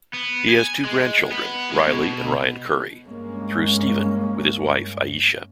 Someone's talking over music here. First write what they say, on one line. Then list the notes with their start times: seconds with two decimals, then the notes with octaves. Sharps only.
He has two grandchildren, Riley and Ryan Curry, through Stephen, with his wife Ayesha.
0.14 B3
0.50 G#5
0.85 G#3
1.32 B3
1.71 G#3
1.86 B2
3.05 G2 G#3 A#3 C#4